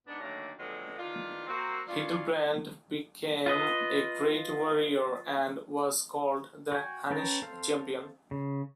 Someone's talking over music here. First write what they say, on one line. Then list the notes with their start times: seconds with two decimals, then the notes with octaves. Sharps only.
Hildebrand became a great warrior and was called the Hunnish champion.
0.07 G#2 B3 D4
0.20 D2 D#3 F#3 A3 A#3 D4
0.58 F2 D3 F#3 G#3 A3 B3
0.97 E2 D#3 D4 F4
1.47 A#3 C4 F#4
1.87 F#3 C#4 D4 F4
3.46 F4 B4 D#5
6.72 F#4 G5 G#5
7.11 C#4 B4 G5 A5 A#5
7.42 C4 A4 C5 F5
8.31 C#3